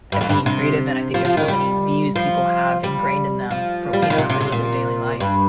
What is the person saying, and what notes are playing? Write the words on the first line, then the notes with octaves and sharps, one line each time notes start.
at being creative and I think there's so many views people have ingrained in them for, you know, how they live their daily life.
G2
F2
G2
C3
F3
F3
D#3
G3
F3
G3
F3
G3
F3
D#3
C3
C3
C3
A#2
G2